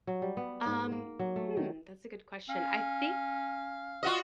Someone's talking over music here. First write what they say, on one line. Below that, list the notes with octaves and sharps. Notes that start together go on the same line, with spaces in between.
Um, hmm, that's a good question, I think
F#3
G3
B3
G#2
A#3
F#3
A3
D#3
C#4 F5
F4 F#4 D#5